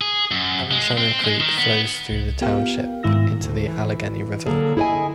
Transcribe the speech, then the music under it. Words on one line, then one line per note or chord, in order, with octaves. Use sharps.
Cowanshannock Creek flows through the township into the Allegheny River.
G#4
F#2
G#3
C4
G#3
D#3
B3
C2
B3 F4 G4 A#4 F5 G5
G#2 D#3 E4 E6 A#6
D2
E3
D3 F#3 A3 A#3 G#4 A4
E4 G#4 B4 D#5 G#5